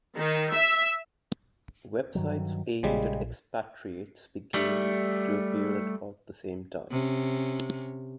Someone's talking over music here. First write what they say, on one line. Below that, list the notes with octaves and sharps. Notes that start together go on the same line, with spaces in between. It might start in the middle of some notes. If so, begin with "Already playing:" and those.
Websites aimed at expatriates began to appear about the same time.
D#3
E5
G2 D#3 F#3
A#1 C#3 G3 G#3
G3 A3
C3 C#4